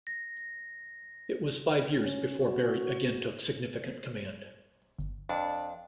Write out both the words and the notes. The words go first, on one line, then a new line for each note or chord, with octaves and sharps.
It was five years before Berry again took significant command.
A#6
C#4
F#4
G1
F2 D4